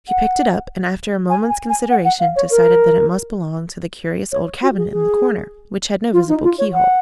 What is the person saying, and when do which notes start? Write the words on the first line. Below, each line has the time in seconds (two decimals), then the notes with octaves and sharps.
She picked it up, and after a moment's consideration decided that it must belong to the curious old cabinet in the corner, which had no visible keyhole.
0.09 F#5
1.30 G#5
1.50 G#5
1.69 G#5
1.90 F#5
2.05 F#5
2.20 F5
2.36 C#5
2.51 A#4
4.32 C#5
4.63 F#4
4.77 G#4
4.92 G#4
6.13 F4
6.28 D#4
6.43 F4
6.59 C#5
6.74 F#5